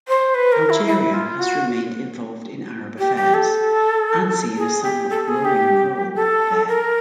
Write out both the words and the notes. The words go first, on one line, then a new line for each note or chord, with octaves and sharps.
Algeria has remained involved in Arab affairs, and seen a somewhat growing role there.
C5
B4
A#4
E4
E4
F4
F#4
G4
G4
A4
G#4
G4
A4
G#4
G4
A4
A#4